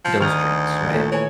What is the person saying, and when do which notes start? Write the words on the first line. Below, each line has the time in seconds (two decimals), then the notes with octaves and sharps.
those drinks, right?
0.05 F3
0.21 D2 D#3 D#6 F6 G6 F7
0.91 A#2 A3
1.12 E3 C#5 G#5